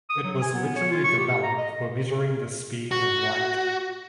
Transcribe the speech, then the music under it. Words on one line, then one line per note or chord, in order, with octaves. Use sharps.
It was originally developed for measuring the speed of light.
D#6
F#3
G#5
B3
C#5
F4
C#6
G4
A#5
D#5
F#4